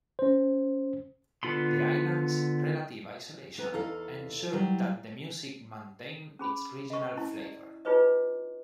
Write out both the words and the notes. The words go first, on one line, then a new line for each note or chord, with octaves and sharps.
The island's relative isolation ensured that the music maintained its regional flavor.
C#4 C5
D3 B3 F4 B5 C6
B3 B4 A#5
E2 D#4 A4 F5
E3 F#3 G3
C#4 G#4 B5
D#5 C#6
C#4 E4
D5
D#4 F4 G#4 B4 C#5 D#5